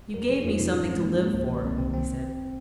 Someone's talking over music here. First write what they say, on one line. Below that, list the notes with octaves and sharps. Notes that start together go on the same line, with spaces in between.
"You gave me something to live for," he said.
F2 A#4
C3 F3 G#4
D#4
F2 F4
C3 F3 D#4
G#2 C#4
C#4
F3 G#3 C4
G#2 A#3
F3 G#3
C2
C3 D#3
C2 C4
C3 D#3 C4
C4